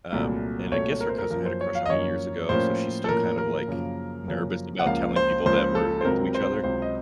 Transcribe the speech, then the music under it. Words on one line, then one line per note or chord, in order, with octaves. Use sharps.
Um, and I guess her cousin had a crush on me years ago, so she's still kinda, like, nervous about telling people that we're into each other.
C2 A#2 F#3 A3
C2 A#2 F#3 A3 C#5
A#4
C5
A#4
F#2 F3 A#3 C#4 A#4
C5
C#5
F5
D#5
F#2 F3 A#3 C#4 C#5
A2 F3 A#3 C#4 C5
A4
A2 F3 A#3 C#4 A#4
A#4
F#2 C#3 F3 A#3
F#2 C#3 F3 A#3
F#5
C#2 C#3 F3 A#3 F5
C5
C#2 C#3 F3 A#3 C5
A4
C5
C#2 C3 F#3 C4 A#4
C5
C#2 C3 F#3 C4 C5
D#5